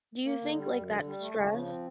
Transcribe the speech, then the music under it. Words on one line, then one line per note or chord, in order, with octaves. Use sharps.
Do you think, like, that stress
A#3
D3
G3
F#2
D3
G3
A3
C#3
F3
C4